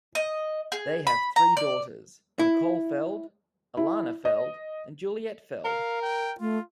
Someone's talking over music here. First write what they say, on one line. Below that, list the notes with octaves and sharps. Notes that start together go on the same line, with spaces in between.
They have three daughters: Nicole Feld, Alana Feld, and Juliette Feld.
D#5
G#4
B5
A#5
D5
E4
E4
D#5
A#4 F5
G5
A3 F4